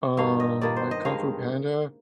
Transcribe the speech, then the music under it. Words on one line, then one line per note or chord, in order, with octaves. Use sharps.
um, like Kung Fu Panda.
G2 D#3 A#3 F5
D#5
G2 D#3 A#3 D5
C5
D#5
G2 D#3 G#3 F5